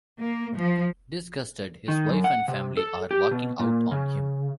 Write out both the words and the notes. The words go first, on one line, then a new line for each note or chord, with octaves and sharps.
Disgusted, his wife and family are walking out on him.
A#3
F3
D#3
F#2
F#5
C3
A4
G4
B2
A#2
C#3